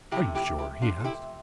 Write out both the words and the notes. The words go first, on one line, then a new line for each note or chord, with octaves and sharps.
"Are you sure?" he asked.
C3 F3 A3 E4 G4
E4 G4
E4 G4
D4 F4
A4
E4 G4